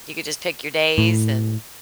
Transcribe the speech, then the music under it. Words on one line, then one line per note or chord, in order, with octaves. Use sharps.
you could just pick your days and
A2